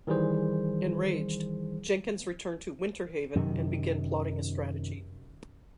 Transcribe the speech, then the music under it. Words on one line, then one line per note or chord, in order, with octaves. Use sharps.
Enraged, Jenkins returned to Winter Haven and began plotting a strategy.
D#3 E3 G3 G#4 C5
F#2 C3 D#3